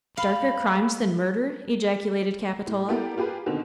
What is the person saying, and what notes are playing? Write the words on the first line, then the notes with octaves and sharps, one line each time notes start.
"Darker crimes than murder!" ejaculated Capitola.
F5 B5
A2
A#3 B3 E4 G4 A4
A#3 F4 G4 G#4 B4
B2 D3 D#3 C4